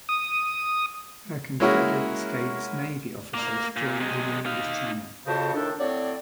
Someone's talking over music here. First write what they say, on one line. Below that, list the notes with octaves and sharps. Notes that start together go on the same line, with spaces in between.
Her Confederate States Navy officers joined in the English Channel.
D#6
G#3 A#3 C#4 E4 F#4 A#4
A#3
A#2
C3 G#3
D#4 F5
F2 A2 C#3 F#4 C5 A5
A2 D#3 D4 A4
A2 F#3 C4 C#5 D5